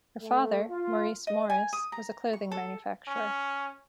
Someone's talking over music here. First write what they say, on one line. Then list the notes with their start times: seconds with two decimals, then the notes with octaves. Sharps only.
Her father, Maurice Morris, was a clothing manufacturer.
0.22 A3
0.69 F4
1.27 D#5
1.50 G#5
1.73 D#6
1.92 A#5
2.33 C#6
2.52 A4
3.07 C#4